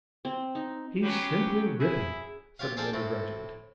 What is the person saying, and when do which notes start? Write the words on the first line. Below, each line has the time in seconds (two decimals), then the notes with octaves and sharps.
"He's simply ripping!" said the undergraduate.
0.25 C4
0.55 D#4
1.03 F#3 B3 C#4 G4
1.80 E4 G#4
2.59 F4 G4 C#5 F5
2.77 G#4 A4 C5 D5 F5 G5
2.93 A2 A3 C4